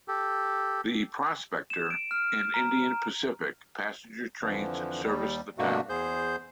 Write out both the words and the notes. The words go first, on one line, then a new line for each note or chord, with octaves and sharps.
The "Prospector" and "Indian Pacific" passenger trains service the town.
G4 A4
E7
D7
F6
A#5
F2 D3 E3 F3
D#2 G3
G2 B2 A3 A#3 D4 F#4
E2 G#4 C5 G6